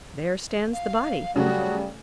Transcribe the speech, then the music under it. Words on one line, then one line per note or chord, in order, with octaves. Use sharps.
There stands the body!
F5
C#3 F#3 G3 A3 F#4